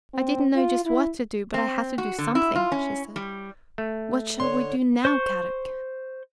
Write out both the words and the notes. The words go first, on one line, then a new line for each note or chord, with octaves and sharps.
"I didn't know just what to do, but I had to do something," she said. "What shall we do now, Kadok?"
C4
F4
E4
C4
F#4
D3
E4
F4
C#4
G3
A3
D3 C#5 C6
C5 C#6